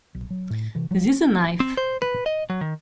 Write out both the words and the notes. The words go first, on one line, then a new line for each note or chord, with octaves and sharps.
This is a knife!
B1
F#3
A2
C3 E3
F3 G3
C4
C5
B4
D#5
F#3
D#3